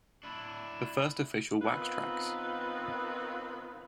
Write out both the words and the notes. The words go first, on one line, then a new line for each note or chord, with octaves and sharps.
The first official Wax Trax!
D4 E4
D#3 B3 C4 D#4 F4 B4